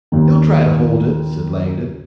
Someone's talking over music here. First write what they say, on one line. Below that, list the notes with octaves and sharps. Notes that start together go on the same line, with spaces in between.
"He'll try to hold it," said Langdon.
D#2 D#3